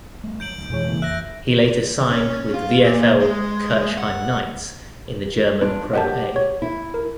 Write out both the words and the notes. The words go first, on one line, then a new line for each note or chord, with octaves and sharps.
He later signed with VfL Kirchheim Knights in the German ProA.
G3 A3
F#3 G6 D7 F#7
D2
F2 B2 D3 E3 G#3 C#5
C#3 E3 A#3
A1 F2 E5 F#6 A#6
C#4
F4
A#2
G#3
F#5
D4 F4 B4
G4 D#5 F#5 A5
C#5
E4
A#4